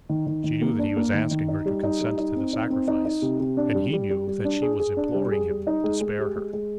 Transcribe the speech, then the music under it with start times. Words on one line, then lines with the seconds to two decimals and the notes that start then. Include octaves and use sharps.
She knew that he was asking her to consent to the sacrifice, and he knew that she was imploring him to spare her.
0.09 D#3
0.27 D#3
0.44 D#3
0.61 A#3
0.79 D4
0.97 A#3
1.14 D#3
1.31 D#3
1.48 D#4
1.65 G3
1.83 D#4
2.01 G3
2.18 D#4
2.36 C4
2.53 D#4
2.70 C4
2.88 D#4
3.05 D#4
3.22 C3
3.40 C3
3.57 D4
3.74 G3
3.93 G3
4.10 G3
4.27 G3
4.44 D4
4.62 G#4
4.80 G#4
4.97 D4
5.14 G3
5.31 G#4
5.49 G3
5.67 D#4
5.84 G#3
6.01 G#3
6.18 G4
6.36 G#3
6.53 G#3